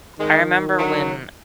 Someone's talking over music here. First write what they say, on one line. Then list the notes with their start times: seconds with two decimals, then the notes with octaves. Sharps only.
I remember when
0.19 D#3 G#3
0.77 F#3